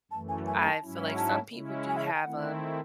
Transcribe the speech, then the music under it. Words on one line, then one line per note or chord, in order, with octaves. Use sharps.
I feel like some people do have a
F#2 E3 A3 A5
G#5
G#5
A5
G#2 F#3 C#4 E4
A5
C#3 G#3 C#4 E4
G#5
E5
A5
G#5
D#3 A3 C4 E4 F#5